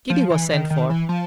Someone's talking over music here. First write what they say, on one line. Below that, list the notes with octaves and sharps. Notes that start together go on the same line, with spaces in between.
Kitty was sent for.
F3
E3
D#3
D#3
E3
F3